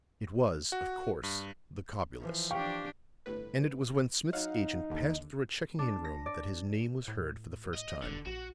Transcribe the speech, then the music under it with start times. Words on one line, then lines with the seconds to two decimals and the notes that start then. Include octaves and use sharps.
It was, of course, the Cobulus; and it was when Smith's agent passed through a checking-in room that his name was heard for the first time.
0.72 F#4
1.23 G2
2.19 E3 F3
2.51 D4 G4 F5 G5 C#6
3.26 G1 A2 B4
4.33 F#3 D#4 F5 F#5
4.90 D#2 D3
5.79 D4
6.05 A#6
6.26 D5
7.08 A2
7.75 D#5
8.03 E1 D3
8.26 A#1 F#4